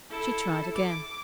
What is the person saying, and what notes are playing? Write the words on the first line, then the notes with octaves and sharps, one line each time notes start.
She tried again.
E4 A4
D6